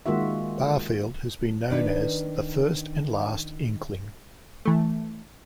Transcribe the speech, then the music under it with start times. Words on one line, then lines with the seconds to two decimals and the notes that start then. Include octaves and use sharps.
Barfield has been known as "the first and last Inkling".
0.06 D#3 G#3 A#3 F4 F#4 E5
1.70 D#3 D4 B4
4.65 E3 A3